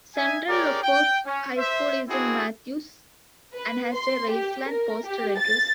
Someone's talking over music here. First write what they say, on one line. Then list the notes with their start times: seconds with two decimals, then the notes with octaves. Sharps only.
Central Lafourche High School is in Mathews, and has a Raceland postal address.
0.16 D#4 E5 G#5
0.49 G4 G#4 A#4 C#5 D5
0.83 G5
1.26 C#4
1.57 C5 E5
2.09 C4 D4 E4 F#4 G#4
3.54 B4
3.95 C6
4.31 G4
4.69 A#4
5.07 G4
5.39 A6